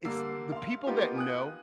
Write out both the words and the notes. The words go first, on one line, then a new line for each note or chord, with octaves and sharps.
it's the people that know,
D3 G3 A#3 E6 C7
F5 C6
A#3 B3 D#4 F4 G4
G#5 D#6 F#6